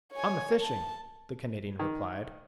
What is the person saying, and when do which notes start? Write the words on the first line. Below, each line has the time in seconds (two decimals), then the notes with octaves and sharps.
"On the fishing," the Canadian replied.
0.13 C#5 G#5
0.61 A5
1.79 D#3